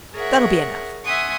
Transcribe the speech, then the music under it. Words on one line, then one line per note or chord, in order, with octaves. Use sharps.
"That'll be enough."
G#4 A#4 C#5 E5 F#5
E5 F#5 G#5 C6 C#6 D#6